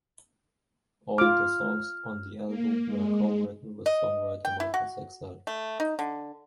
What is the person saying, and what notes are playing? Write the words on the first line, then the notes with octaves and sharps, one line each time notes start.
All the songs on the album were co-written with songwriter Michael Saxell.
F4 D6 F6
A#3
G#3
D#5
G5
E4
F#4
A3
D#4
D3